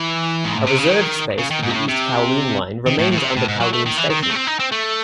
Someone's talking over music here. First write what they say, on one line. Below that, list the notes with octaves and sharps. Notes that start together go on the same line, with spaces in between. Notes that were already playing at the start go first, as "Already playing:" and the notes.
A reserved space for the East Kowloon Line remains under Kowloon Station.
Already playing: E3
G#2
A2
C3
C#3
D#3
C#3
D#3
G#2
C3
A2
C3
D#3
A2
A2
C#3
C3
A2
G#2
F#3
A3
D#3
E3
D#3
C4
A3
C4
D#4
C4
A3